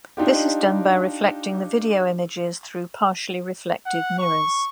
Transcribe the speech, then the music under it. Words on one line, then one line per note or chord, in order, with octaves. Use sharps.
This is done by reflecting the video images through partially reflective mirrors.
D4 D#4 F4 G4
F#5
C#6